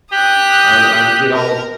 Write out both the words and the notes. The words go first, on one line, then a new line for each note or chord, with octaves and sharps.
I I would get all
G4 D#6 F#6
A#4